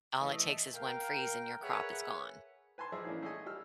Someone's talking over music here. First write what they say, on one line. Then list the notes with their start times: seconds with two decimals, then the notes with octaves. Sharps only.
all it takes is one freeze, and your crop is gone.
0.19 E3 A3 D#5
0.74 A#4 F5 G5
1.62 G#4 A#4 B4 C#5 E5 F#5
2.78 B4 G#5 A5 C6
2.92 F3 D#4 G#4 D5 E5
3.05 E3 A#3 C#4 D4 E4 G#4
3.22 A3 G#4 A4 D#5 G#5
3.46 G3 E6 F6